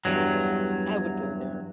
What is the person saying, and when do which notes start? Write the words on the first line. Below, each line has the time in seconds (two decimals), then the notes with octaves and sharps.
I would go there.
0.05 E2 G2 F#3